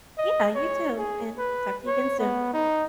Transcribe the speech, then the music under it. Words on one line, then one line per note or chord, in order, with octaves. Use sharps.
Yeah, you too, and talk to you again soon.
D#5
C#5
G#4
B4
C#5
B3
D#4